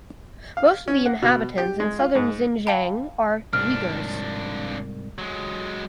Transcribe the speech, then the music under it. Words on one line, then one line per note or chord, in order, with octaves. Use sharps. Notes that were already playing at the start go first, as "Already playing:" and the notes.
Most of the inhabitants in Southern Xinjiang are Uyghurs.
F5
C#4
F#5
B2
G4
G#3
F4
G#2
F5 G5 A5 B5
C2 F2 G#2 D4 F6
F#3 G#3